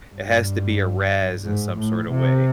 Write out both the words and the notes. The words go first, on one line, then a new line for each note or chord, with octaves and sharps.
it has to be a razz in some sort of way.
G2
G#2
A2
C3